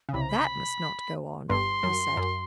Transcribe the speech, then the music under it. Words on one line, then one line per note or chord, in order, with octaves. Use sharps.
"That must not go on," he said.
C#3
C2 C3 B5
A#5
B5
G1 G2 C6
F#2
F#2